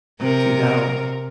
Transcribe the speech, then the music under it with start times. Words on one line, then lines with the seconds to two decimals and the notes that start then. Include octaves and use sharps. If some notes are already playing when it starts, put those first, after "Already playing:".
see, now
0.20 C3 A#4